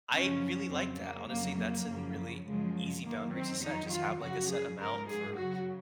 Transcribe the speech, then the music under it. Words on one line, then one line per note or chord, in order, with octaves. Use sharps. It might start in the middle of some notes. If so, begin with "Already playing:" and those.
I really like that. Honestly, that's an really easy boundary to set; just have, like, a set amount for
F#2 C#3 F3 C#4
F2 C#3 F#3 C4
A#3
F2 C#3 F#3 A#3
A#3
F#2 C#3 F3
F#2 C#3 F3 G#3
F#2 D#3 F#3 A#3
C4
F2 D#3 F#3 D#4
F4
F#2 C#3 F3 F#4
G#4
G#2 F3 A#4
G#4
F#2 C#3 F#3 F#4